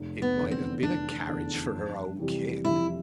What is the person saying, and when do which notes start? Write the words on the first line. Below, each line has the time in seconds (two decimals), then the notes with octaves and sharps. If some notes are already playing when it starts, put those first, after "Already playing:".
"It might have been a carriage for her own kin!"
Already playing: F1
0.22 B3
0.37 E2 D3
0.51 C4
0.82 F1 D4
1.28 E2 D3
1.74 F2
2.19 C3 E3 G3
2.65 F2 E4